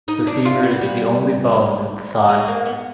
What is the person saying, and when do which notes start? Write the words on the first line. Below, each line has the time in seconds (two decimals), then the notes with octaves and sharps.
The femur is the only bone in the thigh.
0.08 D#4
0.27 D4
0.45 F4
0.63 B3
0.81 G3
2.29 G#3
2.48 A#3
2.66 B3